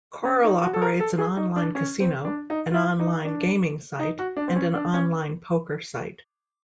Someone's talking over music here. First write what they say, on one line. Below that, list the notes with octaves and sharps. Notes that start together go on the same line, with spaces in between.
Coral operates an online casino, an online gaming site, and an online poker site.
C#4
D#4
F#4
A4
A#4
A4
G#4
D#4
D4
C#4
C4
D4
D#4
F4
E4
D#4
D4
D#4
F#4
D4
C4
C#4
D4
C#4